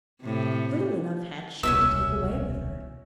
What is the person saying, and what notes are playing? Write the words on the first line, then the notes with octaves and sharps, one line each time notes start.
Little enough had she to take away with her.
A2 C3
D#1 C2 B2 C#4 E5 E6